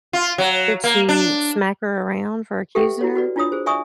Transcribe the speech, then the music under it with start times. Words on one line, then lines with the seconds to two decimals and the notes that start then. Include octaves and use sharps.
Did she smack her around for accusing her?
0.13 F4
0.38 F#3
0.84 A#3
1.09 D4
2.75 G4 A4 B4 E5 F#5 G5
3.01 E4 F#4 C#5
3.15 F#4 B4 D5
3.36 D4 E4 F4 C#5 D#6
3.52 G#4 C5
3.66 D5 E5 G#5 C#6 D#6